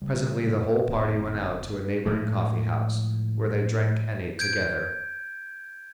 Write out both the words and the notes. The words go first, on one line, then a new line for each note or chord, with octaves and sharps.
Presently the whole party went out to a neighboring coffee-house, where they drank and ate together.
C#3 G3
F1 D3 B3 C4
A2 F3 G#3
G6 G#6 D7